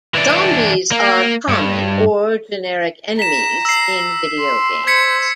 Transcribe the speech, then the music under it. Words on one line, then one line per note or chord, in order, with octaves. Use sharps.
Zombies are common or generic enemies in video games.
E3 D4
A#3
G2
A#5 B6 E7
E6 C7
C6
C5 G#6 B6 C#7